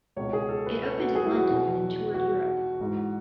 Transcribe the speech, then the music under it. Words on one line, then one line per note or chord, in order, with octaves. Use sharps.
It opened in London and then toured Europe.
C#2 B2 C#5
G#4
A4
B4
A4
F#4
G#4
E4
F#4
E2 B2
F#4
G#2 E3